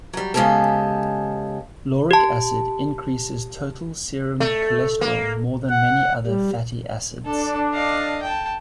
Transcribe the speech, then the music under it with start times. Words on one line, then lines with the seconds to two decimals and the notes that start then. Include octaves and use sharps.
Lauric acid increases total serum cholesterol more than many other fatty acids.
0.13 F#3 G3
0.34 C#3 G#3 B3 C#4 G4 A4
2.11 G4 A5
4.40 A3
5.01 A#3
5.70 F#5
6.27 G3
7.26 D4 A4
7.74 D#5 F5
8.22 G5 A5